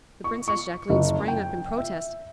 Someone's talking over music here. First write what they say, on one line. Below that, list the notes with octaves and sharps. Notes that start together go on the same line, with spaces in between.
The Princess Jacqueline sprang up in protest.
C#6
C#6
F#1
G5
E5